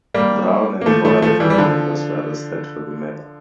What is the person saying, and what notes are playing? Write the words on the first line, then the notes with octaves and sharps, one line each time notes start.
Brown and four other gang members were arrested for the murder.
G3 A#3
A#3
F3 A3
F3 A3
F3 A3
E3 G3
G3
D3 F3